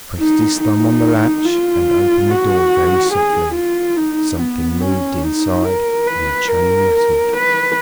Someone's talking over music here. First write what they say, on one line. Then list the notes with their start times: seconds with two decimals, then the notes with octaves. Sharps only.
He pressed his thumb on the latch and opened the door very softly. Something moved inside and a chain rattled.
0.20 D#4
0.62 D#4
1.45 F4
2.30 F#4
3.13 G#4
3.55 F4
3.97 D#4
4.40 B3
4.81 C#4
5.23 D#4
5.65 A#4
6.07 B4
6.49 A#4
7.33 B4